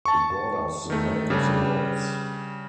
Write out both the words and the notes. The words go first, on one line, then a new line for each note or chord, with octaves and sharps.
It borders the Lake of the Woods.
A5 C#6
D#3 A3
C#3 G3 D4